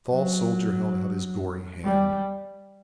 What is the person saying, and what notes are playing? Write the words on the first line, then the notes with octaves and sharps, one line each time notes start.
The tall soldier held out his gory hand.
F#3
G3